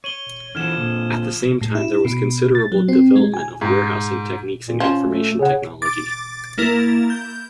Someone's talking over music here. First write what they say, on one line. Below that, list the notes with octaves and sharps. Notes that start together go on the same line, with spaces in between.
At the same time there was considerable development of warehousing techniques and information technology.
C#5 D#7 F#7 G7
D3 E3 F3 B3 F6 G#6 E7
A#2 D3
A2
E4
B2
A6
F#3
C4
G#3
G#5
G#2
A#2
F3 C#4
A3
C#3 G#4 C#5 F#5
D6 A6
A#3 E4 A#4 A6
G6